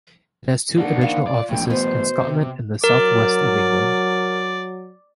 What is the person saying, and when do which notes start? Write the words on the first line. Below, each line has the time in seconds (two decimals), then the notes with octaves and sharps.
It has additional offices in Scotland and the South West of England.
0.78 D#3 A#3 D4 F#5
1.01 F4 F5
1.27 D5
1.50 A#1 E2 A2 G5
1.70 B2 B3 C5
2.21 C3
2.84 F#3 A#4 D5